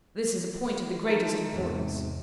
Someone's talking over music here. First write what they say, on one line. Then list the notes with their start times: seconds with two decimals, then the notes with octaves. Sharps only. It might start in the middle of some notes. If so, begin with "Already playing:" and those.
This is a point of the greatest importance.
1.09 G#3 D#4 A#4 A5 A#5
1.53 E2 G#2 C3